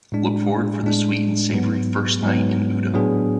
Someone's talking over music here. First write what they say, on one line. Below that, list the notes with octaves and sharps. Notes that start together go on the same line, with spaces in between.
Look forward for the sweet and savory first night in Udo!
A2 G#3 D4
A2 G#3 D4
G#2 F#3 B3
G#2 F#3 B3
A2 F#3 B3 D4 G#4